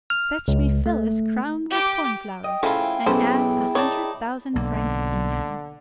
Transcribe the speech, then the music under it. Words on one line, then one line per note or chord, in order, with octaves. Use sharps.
Fetch me Phyllis crowned with corn-flowers, and add a hundred thousand francs income.
F6
C#2
A3
G4 D6
D#5 G5
C#3 F3 A3 E4 F4 G#5
B1 C#4 E4 G#4 A4 C5
D#4 C#5 D5 A5
B1 D3 A#3